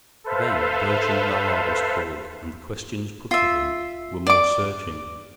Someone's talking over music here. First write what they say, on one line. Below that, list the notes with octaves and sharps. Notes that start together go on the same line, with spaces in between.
Then Bertrand Ballard was called, and the questions put to him were more searching.
A4 B4 C5 E5 F5
F4 E5
D5 D6